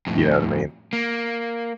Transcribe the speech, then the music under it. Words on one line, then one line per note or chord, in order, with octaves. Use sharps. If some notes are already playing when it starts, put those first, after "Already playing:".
You know what I mean?
F2 A2
A#3